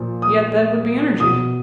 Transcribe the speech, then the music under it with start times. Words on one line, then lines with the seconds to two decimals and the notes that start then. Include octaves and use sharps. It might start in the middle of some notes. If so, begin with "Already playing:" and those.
Yet that would be energy.'
Already playing: A#2 F3
0.22 D#6
1.20 B2 D#6